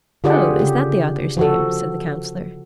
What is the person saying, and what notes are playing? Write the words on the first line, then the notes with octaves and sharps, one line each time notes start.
"Oh, is that the author's name?" said the Councillor.
D3 F4 G4 G#4 D5 F#5
C#3 G4
F3 F#4 A4